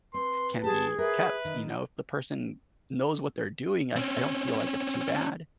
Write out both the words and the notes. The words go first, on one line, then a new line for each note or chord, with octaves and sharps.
can be kept, you know if the person knows what they're doing, I f I don't feel like it's too bad,
C4 B4 C6
G4 G#4 A5
A#4 B4 E5
D#3
C4 C#4